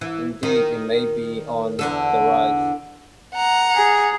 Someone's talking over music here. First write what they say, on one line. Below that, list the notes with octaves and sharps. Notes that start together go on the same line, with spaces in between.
Indeed, it may be on the rise.
E3
D#3
E2 D3 A4
F#5 A#5
G#4